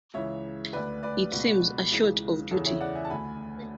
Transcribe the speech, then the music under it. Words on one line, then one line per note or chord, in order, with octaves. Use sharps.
It seems a sort of duty.
C#2 C#3 E3 C#5 E5
D2 D3 B4 D5
B4 D5
C#2 B2
C#2 C#3 E3
E2 C#3 E3 A4 C#5
C#5 E5
D5 F#5
E5 G#5
A5
D2 D3 G#5 B5